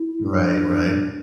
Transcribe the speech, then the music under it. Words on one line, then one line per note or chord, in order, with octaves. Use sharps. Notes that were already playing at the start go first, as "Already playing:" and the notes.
Right, right.
Already playing: E4
D4